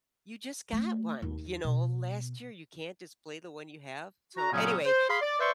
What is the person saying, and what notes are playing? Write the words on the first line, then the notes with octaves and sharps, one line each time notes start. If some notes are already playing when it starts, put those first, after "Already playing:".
you just got one, you know, last year you can't just play the one you have. So, anyway,
A3
D#2
B2
F#4 A#5
A#2 C#3 F#3 B3 C#4
C5
G#4 F5 B5 C6
D5
B4 C5 D5 E5 C6 C#6